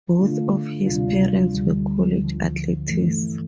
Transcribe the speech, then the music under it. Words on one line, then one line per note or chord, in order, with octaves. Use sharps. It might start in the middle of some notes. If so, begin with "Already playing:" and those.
Both of his parents were college athletes.
D3 A3 D4 F4
D2 C3 G3 D4 F4
D2 D3 G3
D2 D3 F3
G2 E3 A3